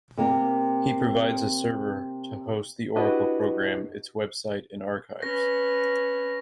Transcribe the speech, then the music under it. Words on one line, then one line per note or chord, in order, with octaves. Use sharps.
He provides a server to host the Oracle program, its web site, and archives.
C3 A#3
D4 E4 F#4 G4 B4 D#5
C#4 B4 A#6